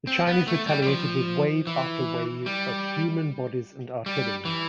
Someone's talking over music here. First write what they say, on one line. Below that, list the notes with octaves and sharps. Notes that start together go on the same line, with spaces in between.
The Chinese retaliated with wave after wave of human bodies and artillery.
C4
B3
A3
G3
G3
F3
E3
G3
G3
E3